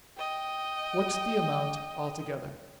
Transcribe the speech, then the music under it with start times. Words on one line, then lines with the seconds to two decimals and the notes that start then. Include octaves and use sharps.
'What's the amount altogether?'
0.18 D#5 G5